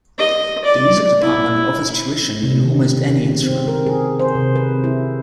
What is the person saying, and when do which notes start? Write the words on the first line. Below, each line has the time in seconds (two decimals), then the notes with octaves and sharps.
The Music department offers tuition in almost any instrument.
0.19 D#5
0.65 D5
1.21 E4
2.43 C3
2.64 D#3
3.09 C#3
3.42 C4
3.68 A#4
3.86 G#4
4.19 C5
4.35 C3
4.56 B4
4.84 E4